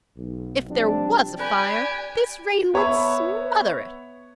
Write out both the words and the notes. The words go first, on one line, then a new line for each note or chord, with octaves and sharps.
If there was a fire, this rain would smother it.
B1
C3 F3 G3 C4 D4
G4 B4 D5 G#5
B3 C#5 E5 B5